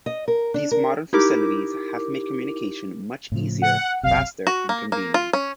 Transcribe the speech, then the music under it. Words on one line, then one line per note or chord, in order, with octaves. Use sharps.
These modern facilities have made communication much easier, faster and convenient.
D#5
A#4
D4
A#4
D#4 E4 G4 A#4 D6
A2 C#3 F3
F#5
F#1 B1 C3 F5
F#4
A#3
A#3
F4
C#4